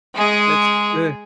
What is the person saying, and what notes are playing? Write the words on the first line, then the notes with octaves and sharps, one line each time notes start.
That's ugh.
G#3 G#4